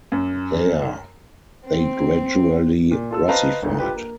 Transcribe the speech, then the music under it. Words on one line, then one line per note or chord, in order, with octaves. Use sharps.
There they gradually russified.
F#2
C4
A#2
F4 A4 E6
B4 C5 D#5 F5 A5 A#5
G1 D2 G#2
F4 G4 B4
A#3